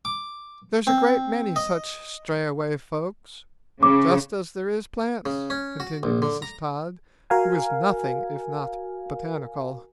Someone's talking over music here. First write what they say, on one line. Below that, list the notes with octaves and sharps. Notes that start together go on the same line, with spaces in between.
"There's a great many such strayaway folks, just as there is plants," continued Mrs. Todd, who was nothing if not botanical.
D6
C4
D#5
C#3 D6
C#3
C#4
F#4
A#1
D3
A#5
F#4 A#4 F5 G#5